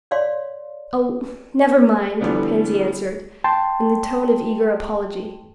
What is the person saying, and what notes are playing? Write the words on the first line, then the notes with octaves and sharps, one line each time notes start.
"Oh never mind!" Pansy answered in the tone of eager apology.
C#5 D5 F5 C6
D3 E3 F3 G3 B3 D4
G5 A5 C6